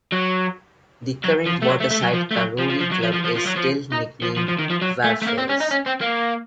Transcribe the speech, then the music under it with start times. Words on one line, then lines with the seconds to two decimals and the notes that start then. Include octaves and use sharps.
The current Waterside Karori club is still nicknamed Wharfies.
0.12 F#3
1.24 F#3
1.46 F3
1.62 A3
1.68 F#3
1.80 A3
1.91 A3
2.03 F#3
2.13 F3
2.31 A3
2.35 F#3
2.59 F3
2.70 F3
2.81 F3
2.92 F#3
3.03 F3
3.14 F3
3.25 F3
3.36 F3
3.47 F#3
3.56 F3
3.92 D#4
4.22 F3
4.36 F3
4.48 F3
4.59 D#3
4.70 F3
4.82 F#3
5.04 A3
5.22 A3
5.27 A#3
5.37 C4
5.49 C#4
5.60 D#4
5.71 C#4
5.86 C4
6.01 A#3